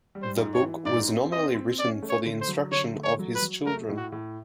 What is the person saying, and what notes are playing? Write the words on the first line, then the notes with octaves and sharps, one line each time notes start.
The book was nominally written for the instruction of his children.
G3
C5
G#2
C#5
E3
G#2 D5
C4
C4 D#5
C4
C#4 D5
A3
C#5
D3
C5
F#3
D3 C#5
A3
C#5
F#3
B4
F#3
A3 A#4
A2
F#4
A2